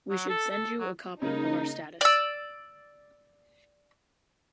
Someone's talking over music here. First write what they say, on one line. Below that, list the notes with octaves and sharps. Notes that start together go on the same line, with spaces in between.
We should send you a copy of our status.
F#3
A4
A4
F#3
C#3 A#3 D#4
D5 E6